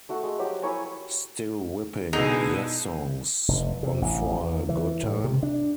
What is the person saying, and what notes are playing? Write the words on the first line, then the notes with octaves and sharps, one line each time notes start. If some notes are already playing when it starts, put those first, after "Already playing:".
Still whipping "Yessongs" on for a good time?
A3 F#4
G#3
F3 F#3 G4
E4 A#4 C#5 G#5
B2 D3 E3 D#4 G#4
F1
C3
A1
E2
E3
A2
C3
D4